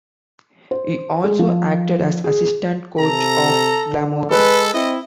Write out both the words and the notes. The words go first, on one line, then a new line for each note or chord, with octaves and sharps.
He also acted as assistant coach of Glamorgan.
C5
G#3
F3
G#4
C3 A4 A#5
D3
G#3 A4 B4
C4 E4 D#5